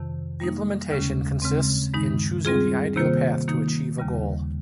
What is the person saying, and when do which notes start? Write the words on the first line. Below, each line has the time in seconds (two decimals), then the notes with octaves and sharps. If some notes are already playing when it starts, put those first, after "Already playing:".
The implementation consists in choosing the ideal path to achieve a goal.
Already playing: F2 C3 D#3
0.40 G3 A#3 D#4
0.90 D#2 C#3 G#3 C#4
1.42 C#3 G#3 C4
1.94 G2 D#3 G#3 D#4
2.45 G3 C4 F4 G#4
2.96 C3 D#3 A#3 F4 C5
3.48 D#3 A#3 D#4
3.99 D#2 C#3 G3